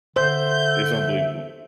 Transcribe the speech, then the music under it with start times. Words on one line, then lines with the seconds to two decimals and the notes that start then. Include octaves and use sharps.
it's unbelievable,
0.16 D3 C5 E5 G6